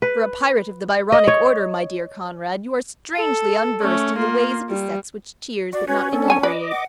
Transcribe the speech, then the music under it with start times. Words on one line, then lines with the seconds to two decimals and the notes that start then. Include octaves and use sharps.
For a pirate of the Byronic order, my dear Conrad, you are strangely unversed in the ways of the sex which cheers but not inebriates.
0.02 B4
1.12 D#5
1.27 C#5
3.15 A4
3.81 A3 C#4
4.15 A#3 F4
4.69 G3
5.73 F#4 D5
5.88 C#4 F#4 B4 C#5
6.13 C4 D4 A4
6.28 C#5 G#5 A5
6.43 B4 D5 D#5 D6
6.72 F#5